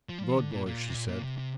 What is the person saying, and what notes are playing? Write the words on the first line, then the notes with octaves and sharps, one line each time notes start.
"Good boy!" she said.
F3
G3
F3
D3
A#2
A#2
C3
A#2
A#2
C3
C3